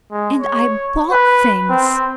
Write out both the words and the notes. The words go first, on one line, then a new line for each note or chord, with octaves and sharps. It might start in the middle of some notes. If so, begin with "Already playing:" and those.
And I bought things!
G#3
C#5
B4
C4